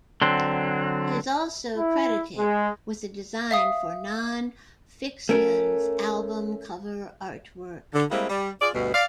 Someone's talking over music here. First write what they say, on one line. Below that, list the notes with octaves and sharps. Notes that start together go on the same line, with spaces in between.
He is also credited with the design for Non Phixion's album cover artwork.
D3 F#3 C4
E4
G#3
E5 F5 D#6
A3 C#4 A#4
D3
G3 G#3 A#3 C4 E4
G3
F4 G#4 D5
D2 G2 B2
D5 F5